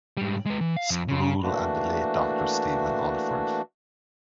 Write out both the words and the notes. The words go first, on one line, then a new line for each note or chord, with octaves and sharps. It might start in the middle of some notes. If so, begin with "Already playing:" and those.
Sproul and the late Doctor Stephen Olford.
G#2 G3
G#3 B4
E3
F5
F2
C#3
E3 A3 A#3 D4 F#4